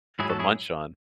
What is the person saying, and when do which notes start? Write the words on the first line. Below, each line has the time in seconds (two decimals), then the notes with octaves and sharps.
to munch on.
0.19 G#2 F#3 E4 G#4
0.29 F#4 A4
0.39 E4 G#4